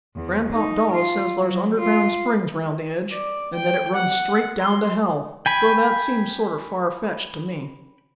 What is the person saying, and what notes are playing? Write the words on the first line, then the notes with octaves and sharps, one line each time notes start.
Granpop Dawes says thar's underground springs around the edge, and that it runs straight down to hell, though that seems sorter far-fetched to me.
E2
D#4
F4
F#3
F4
D5
G5
F#5
C6
G5 G#5 B5